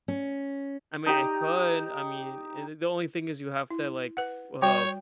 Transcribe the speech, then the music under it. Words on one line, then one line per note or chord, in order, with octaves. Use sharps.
I mean, it could I mean, eh, the the only thing is you have to, like well
C#4
D#4 G4 A#5
E4
B4 F#5
G3 F#4 C#5 G5